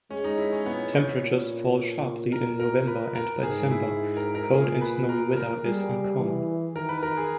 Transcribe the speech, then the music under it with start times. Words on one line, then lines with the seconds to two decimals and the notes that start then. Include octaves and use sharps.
Temperatures fall sharply in November and by December, cold and snowy weather is uncommon.
0.11 G#3 C#4
0.24 D#4
0.38 E4
0.52 C#4
0.66 A#2 B3
0.94 C#4
1.21 A#2
2.32 A#4
2.60 A#4
2.87 B4
3.15 A#4
3.43 G#2 G#4
3.71 E4
4.17 A#4
4.35 A#4
4.53 A#2 G#4
4.81 B4
5.09 A#4
5.36 A#4
5.64 G3 G#4
6.19 E3
6.75 D#3 A#4
6.89 B4
7.03 A#4
7.17 G#4